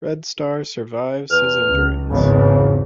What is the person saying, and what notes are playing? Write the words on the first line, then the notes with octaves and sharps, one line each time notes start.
Red Star survives his injuries.
E2 F6
C#2
G#1 E2 C#3